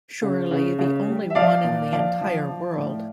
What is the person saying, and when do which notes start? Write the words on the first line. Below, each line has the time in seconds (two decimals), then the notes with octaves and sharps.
Surely the only one in the entire world.
0.22 C#3
0.51 C#3
0.79 C#3
1.08 G3
1.30 E5
1.35 F3 D5 F5
1.64 A#2
1.92 F3 D5 F5
2.21 F3
2.50 F3
2.78 A2